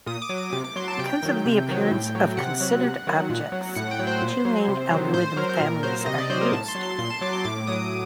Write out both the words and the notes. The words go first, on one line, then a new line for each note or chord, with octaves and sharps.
Because of the appearance of the considered objects, two main algorithm families are used.
A#2 D#6
D6
F#3
D6
C3 D6
D6
F#3 C6
A5
C3 G5
D#3 F#3
C3
D#3 F#3
A2
F#3
C3 F#5
F#3
C3
D#3 F#3
A#2
F#3
A2 F#5
G5
F#3
C5
A#2
F#3
C3
D#3 F#3
A2 C5
F#3 A#4
C5
A#2 A#4
F#3 C5
C3 D#5
D5
F#3 C5
A#4
A2 A5
C6
F#3
C6
A#2 C6
A5
F#3 D6
C6
A2 D6
F#3 D#6